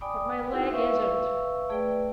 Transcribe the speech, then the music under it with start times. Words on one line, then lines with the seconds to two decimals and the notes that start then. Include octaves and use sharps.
But my leg isn't.
0.01 D5 G5 G#5 B5 D6 D#6
0.34 G5
0.51 D#4 E4 F#4 G#4 F#5 E6
0.70 B4 E5 F5 C#6 E6
1.70 A3 G#4 B4 D5 G5